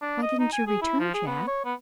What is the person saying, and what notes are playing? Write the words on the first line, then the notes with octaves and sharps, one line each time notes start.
Why didn't you return, Jack?
D4
D#5
D#4
G#5
G#4
E4
F3
G#4
B3
C#5
B3